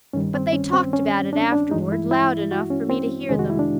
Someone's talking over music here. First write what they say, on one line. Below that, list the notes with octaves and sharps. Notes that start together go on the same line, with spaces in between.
But they talked about it afterward, loud enough for me to hear them.
G2 D#3 G3 C#4
C4
C#4
C4
C#4
D4
D4
G2 E3 G#3 D#4
E4
E4
F#4
C#4
C4
F2 C3 D#3 G#3 C#4
F#4
E4
D4